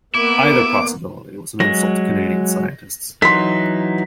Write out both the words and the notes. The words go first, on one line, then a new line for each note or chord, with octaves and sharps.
Either possibility was an insult to Canadian scientists.
A#3 B3 E4 D6
F#3 G#3 A#6
E3 F#3 D#4 C6 B6